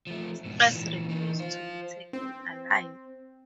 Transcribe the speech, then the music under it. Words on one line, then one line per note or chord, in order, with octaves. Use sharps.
Mistress refused to be taken alive.
F3 A3
G#2 B2
A#2 E3
E3 D#4
F4 C5
C4